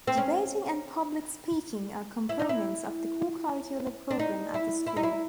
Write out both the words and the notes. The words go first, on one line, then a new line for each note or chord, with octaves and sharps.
Debating and Public Speaking are components of the co-curricular program at the school.
C4
C#4
E4
D#4
E4
D4
D#4
E4
E4
D#4
E4